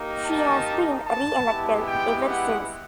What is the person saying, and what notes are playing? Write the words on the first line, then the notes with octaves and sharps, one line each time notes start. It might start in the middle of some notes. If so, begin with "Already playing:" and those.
She has been reelected ever since.
Already playing: A#3 D#4 G4
A5
A5
G#3 B3 E4 G4
G5
F#5